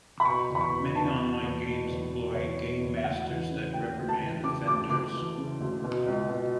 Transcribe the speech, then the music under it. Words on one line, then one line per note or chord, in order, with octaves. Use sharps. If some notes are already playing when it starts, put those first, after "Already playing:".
Many online games employ gamemasters that reprimand offenders.
B5
B2 C#6
E2
B5
C#6
B2
E2 A5
B2
E2
B2
E2
B2
E2 C#5
B2
E2
E5
D2 F#5
E3
C#3
D2 G5
D2
A5
E3
C#3 D6
D2 D6
D2 D6
E3
C#3
D2
B2
C#2
B2